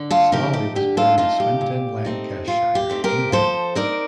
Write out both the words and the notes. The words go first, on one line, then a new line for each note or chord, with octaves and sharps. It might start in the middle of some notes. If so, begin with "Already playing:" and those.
Smalley was born in Swinton, Lancashire, England.
Already playing: D3
F4 A4
F3 A3 D#4 G4 A#4
G4
D3 G4
F4 A4
F3 A3 D#4 F4 A4
G4
A#2
A3 C4 D#4
A#2 F4
G4
A3 C4 D#4
G4 A#4
F3 A4 C5
C4 D#4 A#4 D5